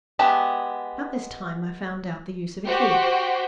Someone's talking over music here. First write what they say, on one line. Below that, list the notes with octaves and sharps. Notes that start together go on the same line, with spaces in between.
About this time I found out the use of a key.
G#3 B3 G4 E5 A5
F#4 G4 C5 G5